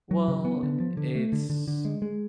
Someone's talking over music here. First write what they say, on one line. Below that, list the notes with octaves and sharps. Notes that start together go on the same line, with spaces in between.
Well, it's
F#3
C#3
B3
D3
F3
D3
A3
D3
D3
D3
G#3
G#3